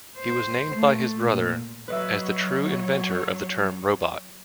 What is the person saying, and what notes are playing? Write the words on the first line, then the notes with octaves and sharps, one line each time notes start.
He was named by his brother as the true inventor of the term "robot".
C5
A3
A#2
F#3 B4 C#5 D#5 E5